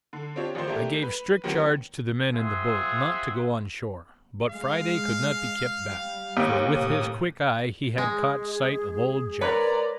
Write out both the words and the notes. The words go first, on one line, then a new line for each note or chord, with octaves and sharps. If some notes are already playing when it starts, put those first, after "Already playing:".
I gave strict charge to the men in the boat not to go on shore, but Friday could not be kept back, for with his quick eye he had caught sight of old Jaf.
D3
C4 D4 F4 G4 C#5
A1 D#3 F4 C5 C6
A3 A#3 D4 E4 G4
B4
D#3 F3 G3 A#3 B3 C#4
C4 F4 G#4 E5 F#5 C6
G#3 F5
G3
D#2 D#5
A2 C3 D#6
G#3 G#4
A#4 B4 C#5 D5 A#5 C6